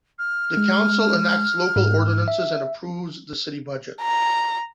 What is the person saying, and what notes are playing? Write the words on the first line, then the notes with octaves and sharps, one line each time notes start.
The council enacts local ordinances and approves the city budget.
F6
G#3
G#2
E5
A#5